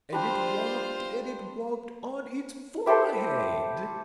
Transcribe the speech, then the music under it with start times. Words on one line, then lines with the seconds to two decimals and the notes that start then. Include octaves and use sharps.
And it walked and it walked on its forehead.
0.12 G3 D4 F4 G4 C5
2.86 E4 G4 A4 C5